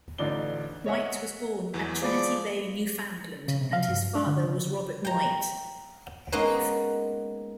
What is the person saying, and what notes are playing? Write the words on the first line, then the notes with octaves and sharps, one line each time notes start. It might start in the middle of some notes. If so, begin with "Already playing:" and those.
White was born at Trinity Bay, Newfoundland and his father was Robert White.
A1 D3 D#4 F4 D5 G7
C#5 D#5 E5 F#5
E2 E3 F#3
F3 G#3 D5 B5
C#3
C3
F5
G2
D4
D3
C#3
G5 A#5
G#3 A#3 B3 C#4 D#4 B4